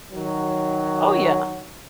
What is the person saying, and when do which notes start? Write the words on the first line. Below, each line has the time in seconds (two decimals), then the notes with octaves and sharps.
oh yeah!
0.12 D#3 F#3